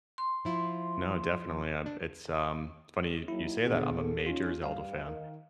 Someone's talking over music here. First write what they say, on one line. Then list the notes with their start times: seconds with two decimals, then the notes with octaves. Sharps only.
No, definitely, um, it's um, funny you say that, I'm a major Zelda fan,
0.18 C6
0.45 F3 E4 F4
1.86 D4
3.28 D#2 F#3 E4
3.66 A#2 D3 B3 G#4
3.96 A4
4.26 C#4 D#4 F4
4.64 G2 G3 F5
5.05 D#3